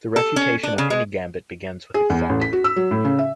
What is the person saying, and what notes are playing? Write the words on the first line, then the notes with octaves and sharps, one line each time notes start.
The refutation of any gambit begins with accepting it.
A4
C#4
D4
C#3
G#3
G#4
E2
A1
B6
F#4
E6
F#3
A2
C#3
E5